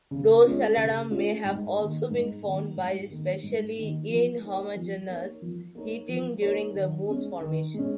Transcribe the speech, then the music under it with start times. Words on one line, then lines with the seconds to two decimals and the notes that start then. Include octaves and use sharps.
Procellarum may have also been formed by spatially inhomogeneous heating during the Moon's formation.
0.11 C#3
0.45 G#3 C#4 F4
0.77 C#3
1.11 G#3 C#4 F4
1.44 G#2
1.77 D#3 A#3
2.10 G#2
2.44 D#3 A#3
2.76 G#2
3.10 D#3 A#3
3.43 G#2
3.76 D#3 A#3
4.09 F3
4.42 A#3 D#4 A#4 C#5
4.76 F3
5.09 A#3 D#4 A#4 C#5
5.42 F3
5.75 A#3 D#4 A#4 C#5
6.09 F3
6.42 A#3 D#4 A#4 C#5
6.75 D#3
7.08 G#3 C#4
7.41 D#3
7.74 G#3 C#4